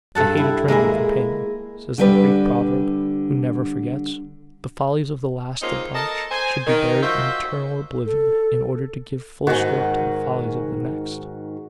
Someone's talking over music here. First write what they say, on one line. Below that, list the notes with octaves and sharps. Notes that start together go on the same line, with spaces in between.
I hate a drinking companion, says the Greek proverb, who never forgets. The follies of the last debauch should be buried in eternal oblivion, in order to give full scope to the follies of the next.
G2 A4 F#5 A5
E4
G#3 A#3 E4 E5
D3 G3 B4
G#3 A#3 C4 C#4 D#4 F4
A4 A#4 D#5 A5
C5 G#5
D#3
F4 F#4 C5 D#5 E5
A4
G#2 D#3 F#4 F#5 G#5